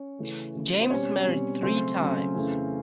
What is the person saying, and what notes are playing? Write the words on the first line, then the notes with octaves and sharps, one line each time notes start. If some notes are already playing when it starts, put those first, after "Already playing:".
James married three times.
Already playing: C#4 C#5
C#3 E3 A3
C#3 E3 A3
C5
B2 G3 C4 C#4 C#5
B2 G3 C4
C#3 F#3 A3 C4 C#4 C5
C#3 F#3 A3 C#4
F2 C#3 E3 A3 C#4